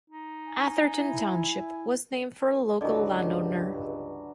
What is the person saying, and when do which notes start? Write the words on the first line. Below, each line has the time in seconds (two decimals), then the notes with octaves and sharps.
Atherton Township was named for a local landowner.
0.10 D#4
0.48 G#5
0.99 E4
2.81 C#2 G2 D3 E3 F#3 D5 D#5